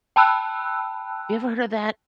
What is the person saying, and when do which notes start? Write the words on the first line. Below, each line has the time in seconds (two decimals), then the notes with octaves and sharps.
you ever heard of that
0.16 G5 A5 B5 E6 F#6